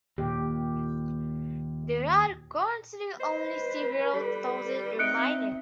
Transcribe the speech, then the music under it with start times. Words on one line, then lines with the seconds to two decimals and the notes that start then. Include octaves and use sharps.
There are currently only several thousand remaining.
0.18 D#2 A#2 G4
3.20 B4 C5 D#5
4.14 G3 A4
4.99 C4 D#4 E5 F#6 C#7 D7